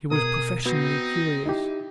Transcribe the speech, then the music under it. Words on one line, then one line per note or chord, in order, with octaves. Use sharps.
He was professionally curious.
B2 G#4 A#4 D#6
B3 C4 D#4 F#4
D#4 E4 G4